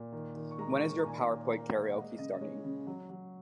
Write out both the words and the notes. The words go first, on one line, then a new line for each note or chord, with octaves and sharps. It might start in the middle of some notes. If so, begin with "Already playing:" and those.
When is your "Powerpoint Karaoke" starting?
Already playing: A#2
D#3
D#3
C#6
G#3 A#5
C#6
D#3
C#6
A#5
A#2 G#5
A#5
A#3
A#3
A#3
F#5
G#3 D#5
C#3 D#5
G#3 C#5
C#3
F#3
F#3